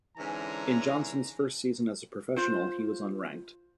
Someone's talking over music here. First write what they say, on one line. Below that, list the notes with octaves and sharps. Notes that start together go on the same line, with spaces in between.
In Johnson's first season as a professional he was unranked.
G#2 D3 E3 C#4 G#5 A#5
F4 C5